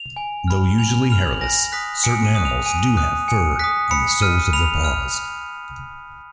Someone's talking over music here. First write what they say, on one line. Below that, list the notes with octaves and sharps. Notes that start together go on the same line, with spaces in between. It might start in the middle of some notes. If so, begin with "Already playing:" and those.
Though usually hairless, certain animals do have fur on the soles of their paws.
Already playing: F7
G#5
B5 F6
G#5 F7
B5 F6 F7
F#7
F7
G#5 A#6
D#6 F#6 B6
G#5 C#7
D#7
D#6 F#6
F7
G#5 D#7
D#6 F#6
G#5 C#7
D#6 F#6 B6
B5 C#7
F6 D#7
B5 F7
F6